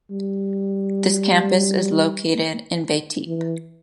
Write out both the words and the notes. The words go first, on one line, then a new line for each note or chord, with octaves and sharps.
This campus is located in Beytepe.
G3
E3